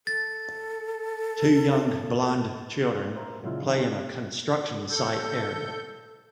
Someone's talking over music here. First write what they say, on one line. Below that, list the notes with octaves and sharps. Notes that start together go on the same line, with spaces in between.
Two young blond children play in a construction site area.
A4 A6
A#4 C5 E5 F5
A#2 C#3 F#3 G#3 E4 F4
D#3 C4 D4
A4 G6